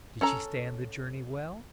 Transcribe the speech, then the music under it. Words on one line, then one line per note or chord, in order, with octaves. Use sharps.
Did she stand the journey well?
C#4 A4 A#5